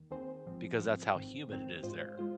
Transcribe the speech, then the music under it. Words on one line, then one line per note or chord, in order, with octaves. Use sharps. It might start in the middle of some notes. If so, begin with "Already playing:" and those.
because that's how humid it is there.
Already playing: D#2 D#3
D#2 D#3 C4 G#4 C5
G#1 G#2 F3 C4
G#1 G#2 F3 C4
G#1 G#2 D#3 C4
G#1 G#2 D#3 C4
G#2 G#3 F4 C5
G#3 F4 C5